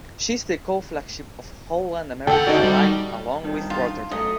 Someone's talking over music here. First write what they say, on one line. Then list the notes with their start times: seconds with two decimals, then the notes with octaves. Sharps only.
She is the co-flagship of Holland America Line along with "Rotterdam".
2.27 D2 A4 F#5 G5
2.47 D#4 F#4 D5
2.63 G3
3.43 G2 D#3
3.70 F4
4.11 F#2 A3 D#5